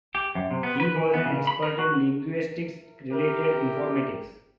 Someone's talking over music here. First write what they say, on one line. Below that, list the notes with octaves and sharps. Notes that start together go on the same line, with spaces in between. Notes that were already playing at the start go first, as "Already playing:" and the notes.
He was an expert in linguistics-related informatics.
G4
F#2
C3
B3
B4
E3
B3
C#3
B5
A#4
F#4
E4 G4 A#4